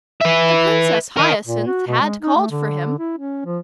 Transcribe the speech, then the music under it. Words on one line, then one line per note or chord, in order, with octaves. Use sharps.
The Princess Hyacinth had called for him.
B4 E5
A#4 D#5
A#2
F#4
B2
G#3
D#4
A3
D3
E4
C#4
F3